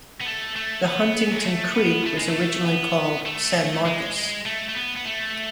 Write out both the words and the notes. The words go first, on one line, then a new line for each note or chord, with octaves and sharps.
The Huntington Creek was originally called San Marcus.
B3
A3
A3
B3
F#3
G#3
A3
B3
A3
G#3
A3
B3
A3
G#3
A3
A3
B3
B3
A3